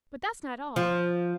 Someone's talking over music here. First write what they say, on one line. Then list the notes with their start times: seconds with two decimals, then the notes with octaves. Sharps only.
But that's not all.
0.76 F3